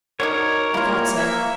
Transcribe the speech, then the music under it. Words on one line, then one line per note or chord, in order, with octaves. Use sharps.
I thought so.
F#3 D4 D#4 A#4 C#5
A#3 E4 F4
E5